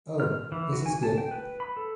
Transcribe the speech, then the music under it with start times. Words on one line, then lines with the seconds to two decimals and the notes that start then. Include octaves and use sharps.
Oh! This is good.
0.20 F6
0.52 E3
0.73 F#4
0.86 G#5
1.03 A5
1.18 G5
1.31 B4
1.60 B5
1.77 A4